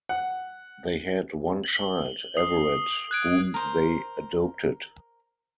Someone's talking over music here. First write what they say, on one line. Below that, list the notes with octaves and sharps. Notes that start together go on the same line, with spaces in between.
They had one child, Everet, whom they adopted.
F#5
F#7 G7
D#6 C7
F#6 G#6 D7
A#4 C5